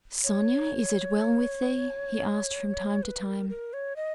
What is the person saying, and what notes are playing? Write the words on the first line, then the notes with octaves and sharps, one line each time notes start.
"Sonya, is it well with thee?" he asked from time to time.
C#5
B4
A#4
A#4
C#5
D#5